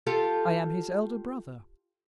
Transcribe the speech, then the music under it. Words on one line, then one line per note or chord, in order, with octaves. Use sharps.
"I am his elder brother."
F4 G4 A4